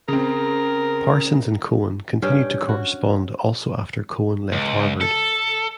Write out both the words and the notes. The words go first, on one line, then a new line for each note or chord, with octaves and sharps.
Parsons and Cohen continued to correspond also after Cohen left Harvard.
C#3 C4 A#4
G2 C#4 G5
F#4
C#2
A4